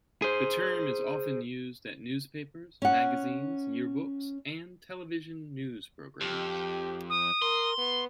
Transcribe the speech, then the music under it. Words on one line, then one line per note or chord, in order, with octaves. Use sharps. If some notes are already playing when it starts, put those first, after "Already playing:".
The term is often used at newspapers, magazines, yearbooks, and television news programs.
G#4 C5
C#4 F#5
F2 G4
D#6
A#4 C6
B3